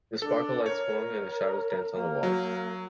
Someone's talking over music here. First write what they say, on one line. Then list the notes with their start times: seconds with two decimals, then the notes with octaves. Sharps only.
The sparkle light swung, and the shadows danced on the walls.
0.22 D4 A4
0.66 A#4 C#5
1.93 A#3
2.23 F#3